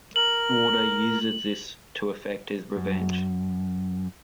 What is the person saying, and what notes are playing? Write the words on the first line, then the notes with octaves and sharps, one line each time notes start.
Waldo uses this to effect his revenge.
A#4 F#7
F#2